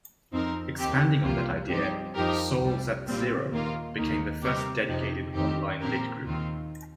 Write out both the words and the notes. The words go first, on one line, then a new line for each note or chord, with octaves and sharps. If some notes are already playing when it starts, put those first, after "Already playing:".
Expanding on that idea, Soulz at Zero became the first dedicated online lit group.
F2 F3 C4 D#4 A#4
D#2 D#3 C4 G4
C2 C3 G3 A#3 F4
G2 F3 C4 D#4 G4
F2 F3 D#4 G4 A#4
C2 C3 G3
A#1 A#2 G3 C4 F4
D#2 D#3 A#3 F4 A#4
D#2 D#3 A#3 D#4
C3 G3 C4 G4 A#4
F2 C3 F3 D#4 G4
F2 D#3 C4 D#4 G4
A#2 F3 C4 G4 A#4
D#2 D#3 C4 F4